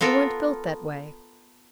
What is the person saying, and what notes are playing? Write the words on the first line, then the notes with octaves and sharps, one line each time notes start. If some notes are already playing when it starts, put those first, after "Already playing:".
You weren't built that way.'
B3 F4 A4 A#4